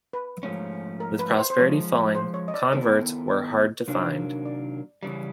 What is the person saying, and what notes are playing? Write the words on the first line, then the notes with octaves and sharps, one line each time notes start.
With prosperity falling, converts were hard to find.
B4
G#2 F3 A3 C#4
A#4
B4
C5
C5
F3 G#3 C#4 C#5
C5
C#5
D#5
D5
D#3 G3 B3 E4 A4
D#5
C3 D#3 F#3 A#3 D4
D5
C#3 E3 G3